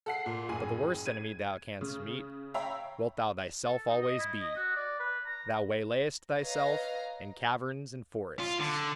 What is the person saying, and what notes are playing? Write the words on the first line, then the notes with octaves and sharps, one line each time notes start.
But the worst enemy thou canst meet, wilt thou thyself always be; thou waylayest thyself in caverns and forests.
A4 F#5 C7
A#2
F#1 A2 G#5
G#6 D#7
C#3
C#5 E5 F5 G5 A#5 B5
A4
D#4
D#5
E4
D#5
F#4
D5
B4
A#5
B4 C#5 D#5 F5 A#5
F4
D3